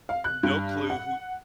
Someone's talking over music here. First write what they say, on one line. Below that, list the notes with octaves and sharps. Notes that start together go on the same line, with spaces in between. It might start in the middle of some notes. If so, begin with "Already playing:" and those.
No clue who
F5
F#6
G2
F#5